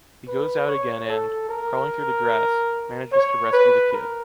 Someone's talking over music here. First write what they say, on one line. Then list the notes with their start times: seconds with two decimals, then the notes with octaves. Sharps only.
He goes out again and, crawling through the grass, manages to rescue the kid.
0.27 B4
0.68 C#5
1.08 A4
1.49 A#4
3.12 C#5
3.53 B4
3.93 A#4